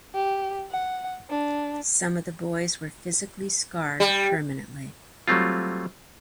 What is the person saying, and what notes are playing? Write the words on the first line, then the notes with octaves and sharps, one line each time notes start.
Some of the boys were physically scarred permanently.
G4
F#5
D4
G3
F#3 G3 A3 C4 F4